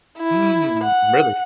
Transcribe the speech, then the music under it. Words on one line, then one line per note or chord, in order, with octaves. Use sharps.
Mm, really?
E4
F#5